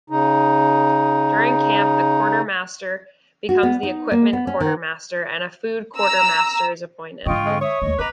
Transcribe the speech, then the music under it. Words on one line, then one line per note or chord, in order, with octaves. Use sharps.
During camp, the quartermaster becomes the equipment quartermaster, and a food quartermaster is appointed.
C#3 D#4
F#4
B3
D#4
A#3
B3
C#4
D#3
A#5 E6
G#2 D3 F4 D#5 G5 C#6
F2 G#3 D#5
C#5 E5 D#6
D#2 A3 D#5
C4 B4 D#5 A#5 D6